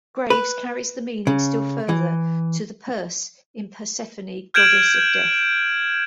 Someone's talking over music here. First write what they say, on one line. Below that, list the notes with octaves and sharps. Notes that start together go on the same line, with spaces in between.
Graves carries the meaning still further, to the "perse-" in Persephone, goddess of death.
B4
C#3
E3
F6 G6 G#6 D7 E7 F#7